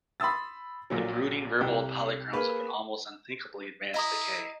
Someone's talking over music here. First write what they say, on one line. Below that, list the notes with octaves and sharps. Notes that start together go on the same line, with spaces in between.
The brooding verbal polychromes of an almost unthinkably advanced decay.
B5 C6 D#6 E6 A6
A#1 A#2 F#3
C2 C3 G5
A#3 G#4 B4
E4 D#5 A#5 D#6